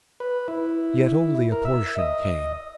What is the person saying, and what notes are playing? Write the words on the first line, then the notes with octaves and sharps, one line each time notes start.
Yet only a portion came.
B4
E4
A#4
E5
D#5